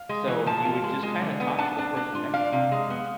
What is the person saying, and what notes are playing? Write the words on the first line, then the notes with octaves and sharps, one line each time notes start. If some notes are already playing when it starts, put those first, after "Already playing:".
so you would just kinda talk to the person next to you, you know?
Already playing: F5
G#3
E3
F3 A5
F4
G#3
G#3
D3
B3
D4 A5
D4
D4
F4
D4 F5
C3
G#3
B3